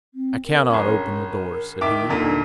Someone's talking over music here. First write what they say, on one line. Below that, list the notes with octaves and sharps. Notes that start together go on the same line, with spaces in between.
"I cannot open the door," said he.
C4
A#4
A#1 C#4
D#3 E5 D6
D#2 A#2 D3 A#3